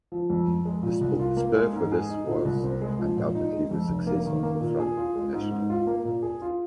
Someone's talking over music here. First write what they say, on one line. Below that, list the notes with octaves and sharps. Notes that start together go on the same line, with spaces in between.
The spur for this was undoubtedly the success of the Front National.
F3
F2
F2
G#3
A#2
C2
F4
A#3
G#3
G#2
G#4
D#4
A#2
C2
C4
G#3
F3
A#2
D#4
G#3
F2
F1
A#3
D#3
A#3
A#2
G#4
F4
G#3
G#2
G#2
F4
A#3
A#2
G#4
F4